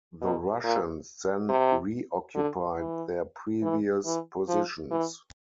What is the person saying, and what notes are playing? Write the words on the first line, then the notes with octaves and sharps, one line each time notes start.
The Russians then reoccupied their previous positions.
B2
A#2
C3
D3
E3
E3
E3
F3
E3